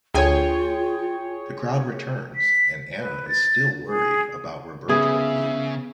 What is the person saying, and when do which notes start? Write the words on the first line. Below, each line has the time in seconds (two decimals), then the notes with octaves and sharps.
The crowd returns and Anna is still worried about Roberto leaving.
0.14 D2 F4 G#4 C#5 G5 G#5
2.35 B6
2.98 B4
3.28 A6
3.84 G#4
4.89 C#3 B3 G#4 E5